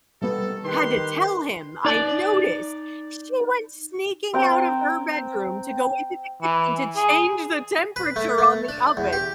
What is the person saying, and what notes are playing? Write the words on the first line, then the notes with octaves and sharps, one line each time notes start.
had to tell him, I noticed she went sneaking out of her bedroom to go into the kitchen to change the temperature on the oven,
D#3 G3 B3 A4
D#3 G4 B4 C6
D#4 D5
C4 G5 A#5
E3
G#4
B4
A3
A3
D4
E2
G4